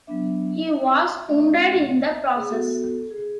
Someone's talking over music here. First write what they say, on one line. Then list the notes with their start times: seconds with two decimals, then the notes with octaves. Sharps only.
He was wounded in the process.
0.07 F#3 B3 D4 E5
0.68 E5
1.29 A3 C#4 E4 E5
2.05 E5
2.21 E5
2.35 G#4
2.50 B3 F#4 A4
3.11 G#4